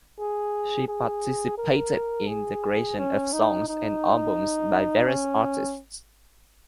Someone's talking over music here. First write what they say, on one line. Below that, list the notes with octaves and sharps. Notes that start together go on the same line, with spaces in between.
She participated in the creation of songs and albums by various artists.
G#4
G#4
A#4
G#4
C#4
D#4
D#4
C#4